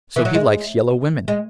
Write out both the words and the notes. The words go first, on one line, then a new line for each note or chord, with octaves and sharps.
'So he likes yellow women!
E3
F#3
G#3
G#3